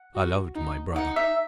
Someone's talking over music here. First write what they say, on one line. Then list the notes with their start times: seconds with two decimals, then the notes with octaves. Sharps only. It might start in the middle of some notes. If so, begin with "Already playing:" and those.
I loved my brother.
Already playing: F#5
0.15 F#4
0.56 D#4
0.96 D#4 F#5
1.16 E5